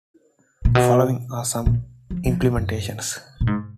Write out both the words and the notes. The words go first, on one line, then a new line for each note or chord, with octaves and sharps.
Following are some implementations.
A#2
B2
A#2
F3
F3
A#2
F#2
A#2
G#2